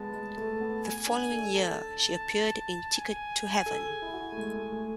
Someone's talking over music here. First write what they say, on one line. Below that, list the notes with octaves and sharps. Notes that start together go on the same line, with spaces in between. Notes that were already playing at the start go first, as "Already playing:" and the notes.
The following year, she appeared in "Ticket to Heaven".
Already playing: G#3 B3 A5
G#3
A3
B3
G#5
D4
A4
A4 A5
G#5
A4
G#4
E4
F#4
A3
G#3
A3
A3